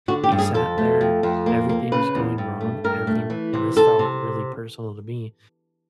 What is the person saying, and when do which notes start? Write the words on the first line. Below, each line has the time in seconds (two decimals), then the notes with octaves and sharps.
he sat there, everything was going wrong, everything and this felt really personal to me,
0.08 D3 F#4
0.24 G4
0.32 G2
0.38 G#4
0.54 F2 A4
0.78 A3
1.01 F2
1.23 F2
1.46 A#3
1.69 A#3
1.92 C#3 B4
2.15 E2
2.38 G2
2.61 A3
2.84 G2 A#4
3.07 A3
3.30 E3
3.54 C3
3.76 C3 A4
3.99 C3